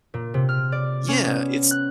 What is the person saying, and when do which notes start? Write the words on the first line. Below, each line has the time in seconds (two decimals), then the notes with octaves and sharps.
Yeah, it's
0.14 A#2
0.34 C3
0.49 F6
0.72 D5
1.08 C#4
1.23 B3
1.71 F#6